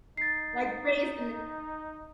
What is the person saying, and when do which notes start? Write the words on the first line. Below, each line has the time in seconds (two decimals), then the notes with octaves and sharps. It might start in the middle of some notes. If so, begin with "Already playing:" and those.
like, Grey's Ana
0.17 D#4 A6 C7